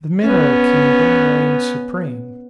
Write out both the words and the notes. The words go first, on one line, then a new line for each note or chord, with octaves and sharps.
The mineral kingdom reigned supreme.
B3 C#4